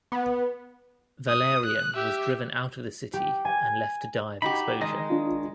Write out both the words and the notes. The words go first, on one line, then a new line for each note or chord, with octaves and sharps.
Valerian was driven out of the city and left to die of exposure.
B3
D#6
F#6
G4 E5
G4
G#5
D#4 F#4 G4 B5
D#3 G#3 D#5
D4 F4